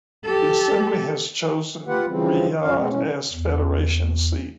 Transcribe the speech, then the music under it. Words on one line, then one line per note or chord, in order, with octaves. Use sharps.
The assembly has chosen Riyadh as federation seat.
G4 A4
F4 G4 B4 F#5
C#3 E3 F3 G3 C4
F#2 F3 C#4 F5
B2 G#3 B3 C4
G2 B2 E3 C#4
E2